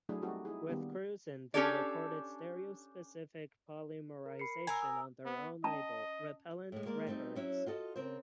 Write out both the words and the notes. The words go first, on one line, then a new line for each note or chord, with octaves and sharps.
With Krusen they recorded "Stereo Specific Polymerization" on their own label, Repellent Records.
F#3 A3 D4 E4 G#4
G3 C4 D#4 F#4 G4 A4
D#4 E4 G#4
D#3 G3 A#3 B3 D4 G4
C#4 D4 G4 A4 C#5 D5
A#4
B5 C7 C#7
A#4 G#5 A#5 E6
D#6 E6
B3
C#4 D#5 A5 A#5
A2 G#3
G#3 A#3 A#4 D5
G3 A3 C4 D4 D#4
F#3 C#4 E4
F4 F#4 A4 D#5
C#3 C4 A#4 C5